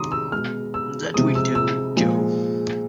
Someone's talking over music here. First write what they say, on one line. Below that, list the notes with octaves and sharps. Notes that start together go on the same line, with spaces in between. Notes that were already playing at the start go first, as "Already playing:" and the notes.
That will do, Jo.
Already playing: C3 D#3 G#3 A#5 C6 D6 D#6
E6
B2 G#3 F6
E6
C3 F3 G#3 D#6
E6
E6
A#2 F3 G#3